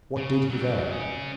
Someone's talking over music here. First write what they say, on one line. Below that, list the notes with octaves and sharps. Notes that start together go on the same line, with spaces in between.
What did he there?
C#3
F#3 G3
C#4 G#4